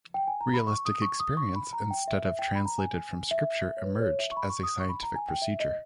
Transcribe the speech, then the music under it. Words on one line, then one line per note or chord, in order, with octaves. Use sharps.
Realistic experience, instead of translated from scripture, emerged as a scientific procedure.
G5
G#5
A#5
B5
C#6
D#6
C#6
D#6
C#6
B5
A#5
G5
E5
E5
G5
B5
A#5
G#5
E5
C#5
B4
C#5
E5
C#6
B5
C#6
D#6
C#6
B5
A#5
G#5
G5
E5
D#5